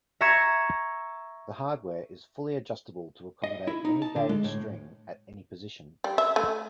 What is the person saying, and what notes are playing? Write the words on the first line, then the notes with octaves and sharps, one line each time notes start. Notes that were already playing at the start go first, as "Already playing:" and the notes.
The hardware is fully adjustable to accommodate any gauge string at any position.
E5 A#5 C#6 G#6 C#7 E7
D#5
E4
D#4
A5
D3
G#3
A2
G3
E5
A3